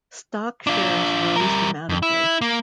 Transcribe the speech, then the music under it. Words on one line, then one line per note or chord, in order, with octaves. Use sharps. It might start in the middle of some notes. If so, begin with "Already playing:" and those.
Stock shares rose dramatically.
D4 F4
G3 A#4
F2
E4
A#3